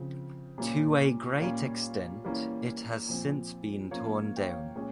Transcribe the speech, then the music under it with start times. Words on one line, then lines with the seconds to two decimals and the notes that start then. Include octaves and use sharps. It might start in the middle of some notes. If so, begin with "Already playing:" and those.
To a great extent, it has since been torn down.
Already playing: C#3 F3 C4
0.58 A#2 G3 A#3 C#4
1.41 A#2 G3 A#3 C#4 C#5 F5
2.25 E3 G3 A#3 C#4
3.09 A#2 F3 C4
3.91 F3 A#3 C#4 C#5 F5
4.37 G5
4.47 C#5 F5
4.75 A#2 G#3 C#4